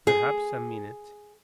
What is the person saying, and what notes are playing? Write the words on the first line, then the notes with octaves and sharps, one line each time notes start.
Perhaps a minute.
G#4